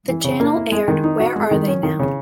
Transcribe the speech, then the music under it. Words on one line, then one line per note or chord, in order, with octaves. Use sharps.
The channel aired Where Are They Now?
E3
C#3
A#3
E4
G#3
D#3
D#4
F#4
G#3
D#3
C#4
D#3
C#3